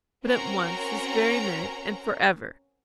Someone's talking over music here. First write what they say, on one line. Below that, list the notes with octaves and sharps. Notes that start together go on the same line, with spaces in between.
But, at once, this very minute, and for ever.
C4 C#4 F#4 A#4 A#5